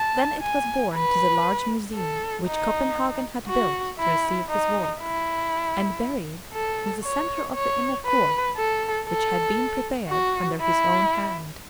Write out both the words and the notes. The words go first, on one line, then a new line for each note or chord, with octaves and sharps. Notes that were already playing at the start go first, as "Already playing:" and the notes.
Then it was borne to the large museum which Copenhagen had built to receive his work, and buried in the centre of the inner court, which had been prepared under his own hand.
Already playing: A5
G#5
B4
A4
D#4
F#4
E4
D#4
E4
A4
C#5
C#5
B4
A4
A4
F#4
E4